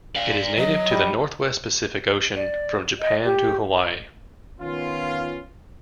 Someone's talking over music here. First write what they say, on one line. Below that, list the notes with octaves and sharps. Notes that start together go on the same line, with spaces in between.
It is native to the northwest Pacific Ocean, from Japan to Hawaii.
D5 F5
F#3 D#5
G3
D5
D#5
G4
D#3 B3 C#4 F4